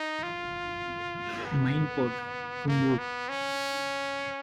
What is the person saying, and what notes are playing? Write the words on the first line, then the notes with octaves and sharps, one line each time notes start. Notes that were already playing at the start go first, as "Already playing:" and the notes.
Main port: Kungur.
Already playing: D#4
F4
B3
A#3
B3
C#4